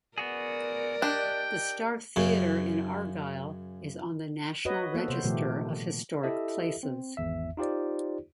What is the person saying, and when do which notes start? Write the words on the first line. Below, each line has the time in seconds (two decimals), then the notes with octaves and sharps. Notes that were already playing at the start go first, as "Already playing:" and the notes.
The Star Theatre in Argyle is on the National Register of Historic Places.
0.18 B3 F#4 G#4 A#4 D5
1.02 D4 G4 D#5 G5 F#6
2.16 F#2 C#3
4.65 F#4 B4 C#5 D#5
4.94 A#3 B3 A4
5.08 C3 C5
5.24 A#2 D#3 F3 A3 G4
6.23 E4 G4 A4 D#5 E5
6.83 C4
7.17 G#1 E2 E5
7.57 D#4 F4 G4 C5 D5